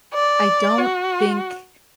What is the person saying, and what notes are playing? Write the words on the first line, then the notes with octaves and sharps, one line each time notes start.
I don't think
D5
F#4